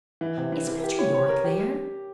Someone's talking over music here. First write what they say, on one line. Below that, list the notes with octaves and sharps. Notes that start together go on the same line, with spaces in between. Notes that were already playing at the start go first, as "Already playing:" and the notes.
"Is Mr. Yorke there?"
E3
C3
E3
E3
G4
C#5
C#5
A#4
G4